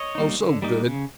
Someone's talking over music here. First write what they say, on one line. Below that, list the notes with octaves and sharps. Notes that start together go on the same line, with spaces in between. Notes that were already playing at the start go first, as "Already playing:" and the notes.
Oh, so good.
Already playing: C#5 D#5
G3 A#3 D#4
D3
G3 A#3 D#4
C#3